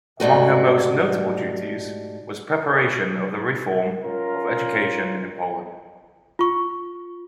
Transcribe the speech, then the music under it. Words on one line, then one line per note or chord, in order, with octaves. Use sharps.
Among her most notable duties was preparation of the reform of education in Poland.
G#2 G3 A3 F#4
C#4 F4 A#4
F4 C#6